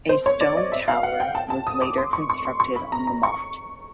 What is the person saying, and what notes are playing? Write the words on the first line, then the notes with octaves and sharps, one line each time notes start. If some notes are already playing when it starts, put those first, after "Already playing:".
A stone tower was later constructed on the motte.
C5
C#5
D5
D#5
E5
F5
F#5
G5
A5
A5
D#6
D6
C6
C#6
C#6
C6
C#6
B5
A#5
A#5
C#6